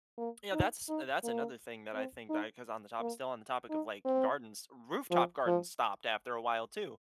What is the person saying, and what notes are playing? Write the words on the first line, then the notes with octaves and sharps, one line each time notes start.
Yeah, that's that's another thing that I think I 'cause on the topi still on the topic of like gardens, rooftop gardens stopped after a while too,
A#3
D#4
D#4
A#3
C4
D#4
A#3
D#4
C4
F3
F3